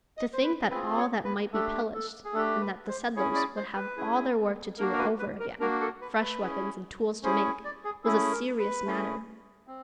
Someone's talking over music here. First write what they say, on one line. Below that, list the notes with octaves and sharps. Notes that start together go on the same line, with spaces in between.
To think that all that might be pillaged and that the settlers would have all their work to do over again, fresh weapons and tools to make, was a serious matter.
D#5
C5
B4
C4 F4 G#4 B4
C#5
B4
A3 D4 G4 A4
A4
G#4
A3 D4 G4 A4
B4
C5
C#4 E4 G#4 C#5
D5
C5
B4
C#4 E4 G#4
A#3 D4 F#4 A#4
A#4
B4
B4
A#4
A#3 D4 F#4 A#4
A4
B4
B4
C#4 E4 G#4
C#4 E4 G#4 C5
C#5
D5
G#4
A3 C#4 E4 G#4 A4
A#4
B4
A3 C#4 E4 G#4
C4